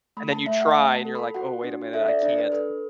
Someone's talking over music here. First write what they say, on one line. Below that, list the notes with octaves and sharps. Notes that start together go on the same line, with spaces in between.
and then you try, and you're like, "Oh, wait a minute. I can't."
A3 B5
A5
A3 E5
F#5
A3 F#5
A5
A4
B5
F#4 F#5
D4
A4 E5
D5
D4 D5
B4
A4 B4